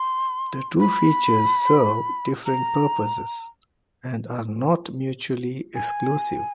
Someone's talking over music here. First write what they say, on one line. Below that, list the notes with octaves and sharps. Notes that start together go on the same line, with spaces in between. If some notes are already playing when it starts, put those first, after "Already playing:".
The two features serve different purposes and are not mutually exclusive.
Already playing: C6
B5
A#5
G#5